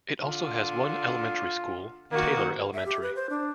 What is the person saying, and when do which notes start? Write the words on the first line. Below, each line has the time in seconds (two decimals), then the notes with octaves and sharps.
It also has one elementary school, Taylor Elementary.
0.24 D3 F4
2.12 D#3 A#3 F#4
2.74 E5
2.86 G4
3.02 B4
3.16 C5
3.30 D4